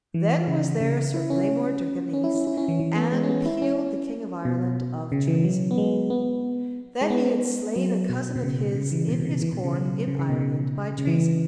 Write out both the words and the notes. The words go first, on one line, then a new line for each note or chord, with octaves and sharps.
Then was there Sir Blamore de Ganis, and appealed the King of Ireland of treason, that he had slain a cousin of his in his court in Ireland by treason.
E3
C#3
C#3
E4
C#4
C#4
E4
C#4
E4
C#4
E3
E3
B3
G#3
C#4
B3
E4
C#4
B2
C#3
E3
F#3
B3
G#3
B3
G#3
B3
F#3
B2
B2
C#3
C#3
E3
B2
B2
C#3
E3
B2
C#3
F#3
C#3
C#3
B2
C#3
C#3
E3